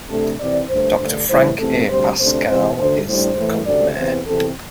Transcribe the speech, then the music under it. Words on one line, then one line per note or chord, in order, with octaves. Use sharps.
Doctor Frank A. Pasquale is the current mayor.
C3 A3 D4 A4
C3 E3 C4 D5
G2 D3 A3 C5
G2 D3 A3 D4
A2 E3 G3 C5
E2 C3 A3 C4 A4
D2 C3 G3 C5
D2 C3 A3 D4 C5
C3 E3 C4 C5
D2 D3 A3 C5
A2 G3 D4 C5
A2 E3 A3
D2 C3 A3 C4 D5
E2 C3 E3 C4 C5
E2 C3 E3 C4 A4